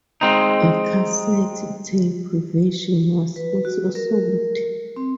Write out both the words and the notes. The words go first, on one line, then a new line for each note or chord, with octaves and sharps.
A cassette tape version was also sold.
G#3 C4 D#4
B4
F#4
A#4
C4